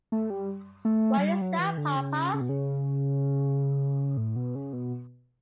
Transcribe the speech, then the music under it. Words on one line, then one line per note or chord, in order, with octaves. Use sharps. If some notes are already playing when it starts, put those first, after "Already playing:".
Why is that, Papa?
A3
G3
A3
F#3
G3
F#3
E3
D3
C#3
C#3
B2
C#3
A2
B2
C#3
B2